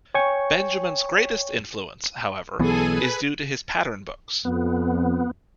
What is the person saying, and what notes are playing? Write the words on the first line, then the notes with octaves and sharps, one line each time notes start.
Benjamin's greatest influence, however, is due to his pattern books.
C#5 G5 G#5 C#6
B1 E3 B3 G#4 A4 G#5
B4
F2 B3